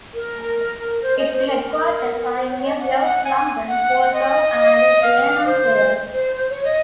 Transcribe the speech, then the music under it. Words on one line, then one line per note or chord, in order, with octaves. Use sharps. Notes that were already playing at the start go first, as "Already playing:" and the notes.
Its headquarters are in New York, London, Warsaw and Buenos Aires.
A#4
C5
D#5
C5
A#4
C5
C#5
D#5
F#5
F#5
G#5
F#5
D#5
F5
C5
C5
C5
C#5
D#5